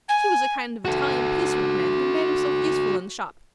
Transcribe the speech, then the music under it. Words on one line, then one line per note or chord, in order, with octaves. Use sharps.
He was a kind of Italian piece-work man, who made himself useful in the shop.
G#5
F#4 A4